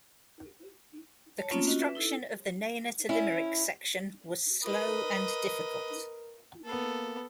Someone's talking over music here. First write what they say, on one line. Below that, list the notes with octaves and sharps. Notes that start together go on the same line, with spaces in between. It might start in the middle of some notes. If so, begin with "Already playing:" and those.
The construction of the Nenagh to Limerick section was slow and difficult.
C#5 A5
A3 A#3 C4 C#4 D#4 F4
C#4 D#4 F4 F#4 D#5
B4 E5
D#4 E4 A4
C#4 E4
A#4 B4 D#5
A#3 B3 A4